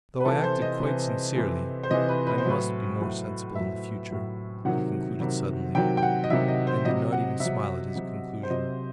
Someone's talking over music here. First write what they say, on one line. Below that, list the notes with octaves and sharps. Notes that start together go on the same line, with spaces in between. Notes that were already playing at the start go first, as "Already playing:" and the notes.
"Though I acted quite sincerely, I must be more sensible in the future," he concluded suddenly, and did not even smile at his conclusion.
B4
C3 E3 A4
C5
D#5
C3 E3
C3 E3
C5
C3 E3 D#5
B4
B4
C5
A2 F#3 B4
A2 F#3
A2 F#3 E5
A2 F#3
C3 D#3 F#3 F#5
C3 D#3 F#3
C3 D#3 F#3 G5
G5
F#5
D#5
C3 D#3 F#3 E5
D#5
C5
C3 F#3 D#5
F#5
C3 E5
F#3
C3 F#3
C5
C3 F#3 D#5